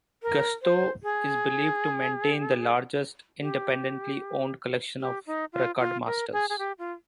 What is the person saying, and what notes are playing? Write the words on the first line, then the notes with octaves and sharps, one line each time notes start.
Gusto is believed to maintain the largest, independently-owned collection of record masters.
A#4
C5
G#4
G4
G4
D#4
F4
F4
A#4
G#4
G#4
G4
F4